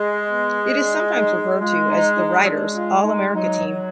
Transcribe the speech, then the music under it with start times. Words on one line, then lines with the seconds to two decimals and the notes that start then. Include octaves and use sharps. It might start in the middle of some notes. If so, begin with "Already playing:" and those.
It is sometimes referred to as the "Writers' All-America Team".
Already playing: G#3
0.29 B3
0.73 D4
1.16 D#4
1.59 G#3 F4
1.88 D#4
2.17 D#4
2.42 F#3
2.46 G#3 D4
2.75 F4
3.04 D#4
3.33 F#3 D#4